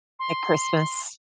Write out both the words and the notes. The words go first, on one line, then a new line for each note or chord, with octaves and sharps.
At Christmas.
C6